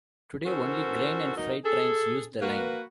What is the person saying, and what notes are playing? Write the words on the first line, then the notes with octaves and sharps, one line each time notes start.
Today, only grain and freight trains use the line.
E3 C#4 F#4 A4 A#4 C5
B2 F#3 D#4 A#4
G#4 A4
A#3 F#4 B4